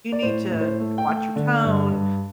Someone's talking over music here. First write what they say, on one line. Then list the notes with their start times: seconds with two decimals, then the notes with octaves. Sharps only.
you need to watch your tone,
0.12 D5
0.22 A2 C5
0.51 A2
0.61 C5
0.80 A3
0.98 G5
1.08 A3
1.17 G5
1.36 D3
1.64 G2
1.92 G2